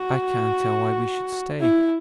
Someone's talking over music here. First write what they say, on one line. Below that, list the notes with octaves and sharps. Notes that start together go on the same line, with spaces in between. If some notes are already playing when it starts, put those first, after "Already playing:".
'I can't tell why we should stay.
Already playing: F#4
E4